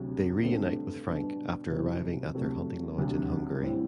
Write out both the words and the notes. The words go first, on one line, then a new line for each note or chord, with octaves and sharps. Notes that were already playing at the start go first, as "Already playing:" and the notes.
They reunite with Frank after arriving at their hunting lodge in Hungary.
Already playing: D2 C3 F#3
G2 D3 A3 C4
B2 G3 D4
C2 B2 F#3 C4 E4
C3 F#3 A3
D2 C3 F#3
A2 G3 C4 E4